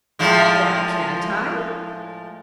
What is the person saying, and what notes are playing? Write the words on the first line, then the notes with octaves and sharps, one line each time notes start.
"Why can't I?"
A2 F3 G#3